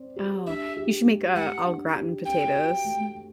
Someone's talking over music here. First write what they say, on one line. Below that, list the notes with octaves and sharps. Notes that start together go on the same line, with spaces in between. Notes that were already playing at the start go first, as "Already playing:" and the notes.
Oh, you should make, uh, au gratin potatoes.
Already playing: C4 D5
G4
D4 E5
G4
G3
G3 F#5
D4
G4
C4 G5
F#4
A3
A3